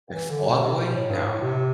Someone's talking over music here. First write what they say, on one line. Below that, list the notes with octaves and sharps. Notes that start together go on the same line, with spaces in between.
Like Fallout Boy? No.
E3
D3
B2
C3
B2
A2
G2
A2
C3